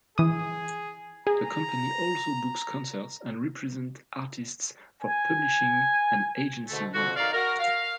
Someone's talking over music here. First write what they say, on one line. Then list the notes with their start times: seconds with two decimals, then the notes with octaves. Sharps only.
The company also books concerts and represent artists for publishing and agency work.
0.18 E3 G#4 D#6
1.27 G#4 A#5
5.02 G#5
6.69 G#2 B2 D3 A3
6.94 F2 B2 D3 F#4
7.16 D#4 A#4 D5 F5
7.33 F#4 A#4
7.60 F5